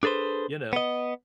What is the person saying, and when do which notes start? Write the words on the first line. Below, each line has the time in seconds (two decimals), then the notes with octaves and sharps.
You know?
0.03 D4 G#4 A4 B4 C5
0.73 B3 D#5